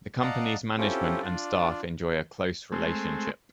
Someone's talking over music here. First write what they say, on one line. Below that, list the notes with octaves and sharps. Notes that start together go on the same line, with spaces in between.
The company's management and staff enjoy a close relationship.
D5 D#5 F5 F#5 A5 A#5
C4 C#4 E4 F4 G4 A4
D4 F4 D5
G#3 A3 C4